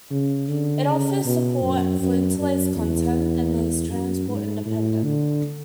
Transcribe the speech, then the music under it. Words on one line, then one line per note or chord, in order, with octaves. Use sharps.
It offers support for interlaced content and is transport independent.
C#3
D3
C#3
B2
F#2
F#2
F#2
E2
F#2
G#2
A2
D3